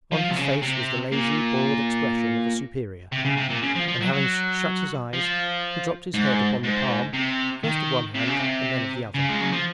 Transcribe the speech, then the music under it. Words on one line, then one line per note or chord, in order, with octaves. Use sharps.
On his face was the lazy, bored expression of a superior, and having shut his eyes he dropped his head upon the palm first of one hand and then of the other.
F3
C3
C#3
C3
A#2
C3
C#3
C3
A#2
C#3
F3
F3
F#3
F#3
F3
G#2
G#2
C3
D#3
C3
C#3
C3
C#3
G#3
F#3
F3